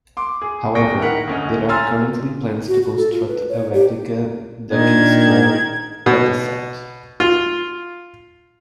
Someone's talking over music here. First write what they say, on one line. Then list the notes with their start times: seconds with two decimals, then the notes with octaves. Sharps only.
However, there are currently plans to construct a replica ducking stool at the site.
0.17 C6 D6
0.42 G#4
0.75 D1 G#4 G5 C#6 A#6
0.99 D#3 E4 A#4 F#5 B6
1.27 D2 C#4 D#5
1.69 G#5 A#5 C6 E6 F6 A6
2.68 F#4
2.82 F#4
2.97 A4
3.12 F4
3.28 B4
3.49 C#5
3.73 G4
4.72 A#2 D#3 D4 G#6
6.06 B2
7.20 F4